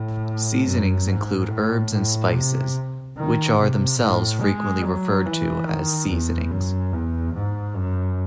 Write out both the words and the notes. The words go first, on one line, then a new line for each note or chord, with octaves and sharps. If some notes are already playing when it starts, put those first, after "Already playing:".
Seasonings include herbs and spices, which are themselves frequently referred to as "seasonings".
Already playing: A2
F#2
G#2
A2
A2
C3
D#3
C3
A2
G#3
F#3
E3
D#3
E2
F#2
E2
G#2
F#2